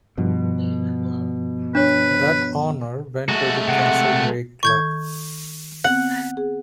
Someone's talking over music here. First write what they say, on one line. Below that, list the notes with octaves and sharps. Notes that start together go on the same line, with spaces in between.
That honour went to the Castlereagh Club.
G2 B2 F3
D4 B4 C#5
G#3 A3 F#4
C3 F#5
D#3 A4 C#6 G6 G#6
B3 C4 F#5 C#7
G#4